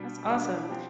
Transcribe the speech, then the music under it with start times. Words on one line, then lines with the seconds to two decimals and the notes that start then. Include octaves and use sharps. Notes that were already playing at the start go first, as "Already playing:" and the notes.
That's awesome.
Already playing: B2 G3 D4
0.25 B2 G3 D4
0.69 F3 C4 G4